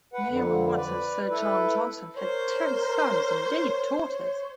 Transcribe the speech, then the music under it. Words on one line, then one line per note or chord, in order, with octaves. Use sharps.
Mary Watts and Sir John Johnson had ten sons and eight daughters.
B4 F#5
F2 D3
B4 D5
E4 A4 B4
A#4 C5 C#5